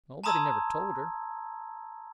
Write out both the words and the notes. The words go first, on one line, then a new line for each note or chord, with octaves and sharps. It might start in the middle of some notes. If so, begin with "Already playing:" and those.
"Nobody never told her."
A5 A#5 C6 D#6 E6 G#6